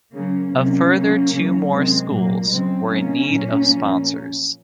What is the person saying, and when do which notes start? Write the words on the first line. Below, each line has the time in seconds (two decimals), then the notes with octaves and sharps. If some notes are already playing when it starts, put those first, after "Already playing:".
A further two more schools were in need of sponsors.
0.13 C#3 F#3 A#3 C#4
0.53 C3 D#3 F#3 A#3 C#4
0.92 C#3 F#3
1.32 C#3 F#3
1.71 C3 D#3 F#3 G#3 C4
2.10 A#2 F#3 A#3
2.50 C#3 F#3 G#3 C4
2.90 C3 D#3 F#3 A#3 C#4
3.29 A#2 F#3
3.68 A#2 F3